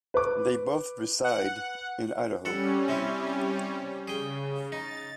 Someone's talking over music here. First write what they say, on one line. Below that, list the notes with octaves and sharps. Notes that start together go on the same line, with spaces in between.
They both reside in Idaho.
B4 D6
F#5
G3 C#4 A4 F#5
C3 C4 E4
C#3 G#4 G5
D#4 A6